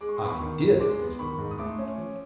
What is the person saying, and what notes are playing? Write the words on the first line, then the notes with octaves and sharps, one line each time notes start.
"I did," was the angry retort.
G#3 D6
C#6
C6
B3 B5 C#6
D#3
G#2
G#3 C6 D6
B3
D#3 B5 C#6
G#2
D#6
A3 C6 D6
C#4
F3